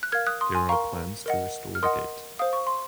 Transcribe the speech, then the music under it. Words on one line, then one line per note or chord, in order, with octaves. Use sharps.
There are plans to restore the gate.
F#6
A#4 F5 F6 G#6
D#6 F#6
C6 D#6
G#5 C6
A#4 F5 A#5 C#6
A#4 D#5 F#5
F6
A#4 D#5 F#5 C6 D#6
C5 F5 D#6
C#6
C6